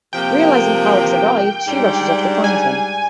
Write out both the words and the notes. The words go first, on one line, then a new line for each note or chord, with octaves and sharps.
Realizing Carl has arrived, she rushes off to find him.
C3 F3 A#3 G5
G#2 G3 D4
G#5